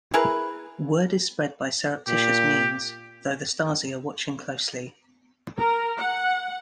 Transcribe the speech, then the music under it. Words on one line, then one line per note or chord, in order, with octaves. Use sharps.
Word is spread by surreptitious means, though the Stasi are watching closely.
E4 G#4 A#4 B4
A#2 G4
A#4
F#5